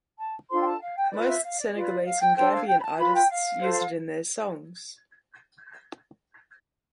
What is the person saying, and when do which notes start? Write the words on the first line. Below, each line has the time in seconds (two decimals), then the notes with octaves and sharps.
Most Senegalese and Gambian artists use it in their songs.
0.18 A5
0.49 D4 F4 A4 C5 C6
0.60 G5
0.65 A5
0.80 F5
0.96 G5
1.11 F4 B4 D5
1.27 E5
1.43 F5
1.58 D5
1.74 F4 B4
2.05 F5
2.20 G5
2.36 D4 A4 C5 G5
2.51 F5
2.67 G5
2.79 B5
2.82 A5
2.98 F4 B4 B5
3.14 G5
3.29 F5
3.60 F4 A4 C5